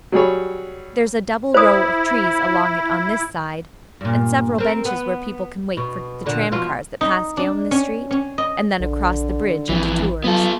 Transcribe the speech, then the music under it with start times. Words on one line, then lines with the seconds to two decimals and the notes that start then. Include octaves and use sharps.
There's a double row of trees along it on this side, and several benches where people can wait for the tram-cars that pass down this street and then across the bridge into Tours.
0.12 F#3 G3 G#4 C#5
1.54 E4 C5 D#6
4.01 G2 A#2
4.58 C4 A#4
4.85 B3
5.77 B2
6.26 A#2 D3
6.52 B2 F3 F4
7.01 D#4
7.37 D4
7.71 C#4
8.11 C#4
8.38 D#5
8.80 A#1 D3
9.69 A1 F2 E3
10.24 F#3 B3 F4 A4